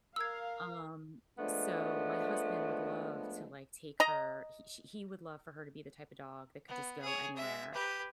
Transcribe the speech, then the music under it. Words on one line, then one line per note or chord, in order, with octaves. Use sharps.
Um, so my husband would love to, like, take her he she he would love for her to be the type of dog that could just go anywhere.
A#4 F5 E6 G#6
F3 G#3 A3 B3 D4
D#5 A#5
B3
G#4 C#5
G#3 E5
G4 B4